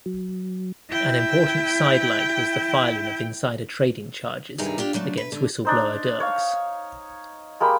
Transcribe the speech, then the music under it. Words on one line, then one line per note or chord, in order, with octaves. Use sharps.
An important sidelight was the filing of insider trading charges against whistleblower Dirks.
F#3
E4 G5
G2 C3 D#3 D#4 G4 G#4
D4 F4 G4
C#3 F#3 A3 D4
B4
D3
D4 D#4 C5
C#5 F5
G#3 A#3 G4 B5